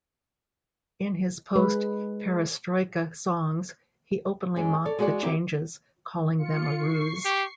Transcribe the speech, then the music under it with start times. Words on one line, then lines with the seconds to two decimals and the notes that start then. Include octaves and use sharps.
In his post-Perestroika songs, he openly mocked the changes, calling them a ruse.
1.56 G#3 B4
4.56 F#2 G#3 C#4
4.85 A4 C#5 D5
4.99 G#3 F#4 G#4 C5 D5 F#5
5.23 F#3 G3 A#3 C4 E4 G4
6.38 F4 C#7
6.76 C#6 C7
7.25 G4